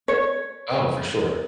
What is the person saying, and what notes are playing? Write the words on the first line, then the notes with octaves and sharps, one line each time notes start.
Oh, for sure.
C#5